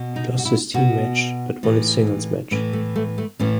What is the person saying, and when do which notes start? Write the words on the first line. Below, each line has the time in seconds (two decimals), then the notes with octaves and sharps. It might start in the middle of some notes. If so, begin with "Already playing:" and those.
He lost his team match, but won his singles match.
Already playing: B2
0.16 D#4
0.38 F#4
0.45 E4
0.74 B2 F#4
1.63 A2 E3
2.51 A2 E3 C#4
2.73 A3
2.96 A3
3.18 A3
3.39 A2 E3 C#4